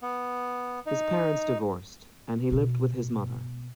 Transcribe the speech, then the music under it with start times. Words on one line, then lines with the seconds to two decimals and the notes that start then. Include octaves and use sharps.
His parents divorced, and he lived with his mother.
0.02 B3
0.86 D#4
2.52 B2